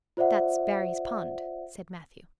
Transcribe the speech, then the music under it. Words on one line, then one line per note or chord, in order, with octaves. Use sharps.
"That's Barry's pond," said Matthew.
F4 C5 D5 E5 F#5